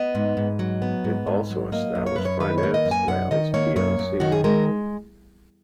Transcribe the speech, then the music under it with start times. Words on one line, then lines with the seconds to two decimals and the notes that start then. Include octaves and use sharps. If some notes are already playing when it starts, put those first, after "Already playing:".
It also established Finance Wales plc.
Already playing: B3 D#5
0.15 G#2
0.37 G#2
0.59 F#3
0.82 B3
1.04 G#2
1.27 G#2
1.50 F#3
1.72 A#3 D#5
1.95 F#2
2.06 C#5
2.16 F#2 B4
2.25 C#5
2.40 D#3 B4
2.58 C#5
2.63 A#3
2.74 D#5
2.85 F#2
2.91 G#5
3.08 F#2 F#5
3.31 D#3 D#5
3.54 A#3 C#5
3.76 F#2 C#5
3.99 F#2
4.20 D#3 F#4
4.32 G#4
4.44 G#3 A#4